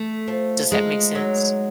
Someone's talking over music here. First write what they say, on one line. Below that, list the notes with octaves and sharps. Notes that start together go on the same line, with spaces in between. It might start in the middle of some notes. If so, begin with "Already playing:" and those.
Does that make sense?
Already playing: A3
F3
G#3 D#4
F#3